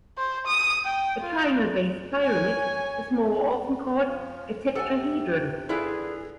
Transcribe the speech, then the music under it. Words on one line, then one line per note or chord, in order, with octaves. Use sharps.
A triangle-based pyramid is more often called a tetrahedron.
C5
D#6
G5
F4
C#5 G#5
F3
C3 A4 F#5 G#5
D3 E4 F4 G#4 B4